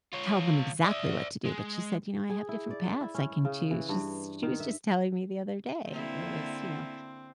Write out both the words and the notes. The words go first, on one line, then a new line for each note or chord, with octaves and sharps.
tell them exactly what to do, but she said, “You know, I have different paths I can choose,” she she was just telling me the other day. It was, you know,
F4 C#5
D5 E5
G#3
G#4
E4
D5
E4
C#4
C#3
E3
G2
D#3
E5
D3 A#3 C4 E4